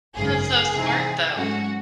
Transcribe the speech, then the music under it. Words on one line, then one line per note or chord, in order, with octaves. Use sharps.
That's so smart, though.
G#1 F#2 C#3 G#4
C3 E3 C4 D#4
G#2 F#3 A3 C#4 F#4